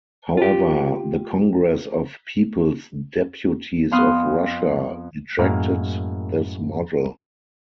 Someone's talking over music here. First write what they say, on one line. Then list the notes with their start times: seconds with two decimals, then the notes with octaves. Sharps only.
However, the Congress of People's Deputies of Russia rejected this model.
0.37 F4 G4
3.91 F2 B3 F5 C6 D#6 F#6
5.39 F#2 A2 G#3 A#3 A#4